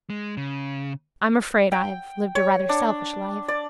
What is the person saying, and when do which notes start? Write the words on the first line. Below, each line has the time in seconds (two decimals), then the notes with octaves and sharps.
I'm afraid I've lived a rather selfish life.
0.10 G#3
0.37 C#3
1.72 G5
2.35 C#5
2.69 D4
3.48 D5